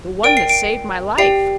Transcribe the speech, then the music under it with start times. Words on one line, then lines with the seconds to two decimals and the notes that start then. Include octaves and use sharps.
"The one that saved my life."
0.23 A#4 D5 G5 D7
0.37 C7
0.49 D7
1.18 G4 D5 G5 C7